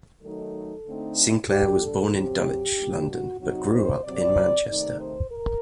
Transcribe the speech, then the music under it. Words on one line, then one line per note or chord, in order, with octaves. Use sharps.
Sinclair was born in Dulwich, London but grew up in Manchester.
D#3 F#3 A3 D#4 A4
D3 A3 C4 D#4
D3 G3 D4 G4
A4
C3 F#3 C4 G4
A#2 G3 D4
F#4
C3 F#3 C4 D#4 F#4
C5
C3 F#3 C4 D5
C3 D#3 A3 D#4 D5
C5
A#4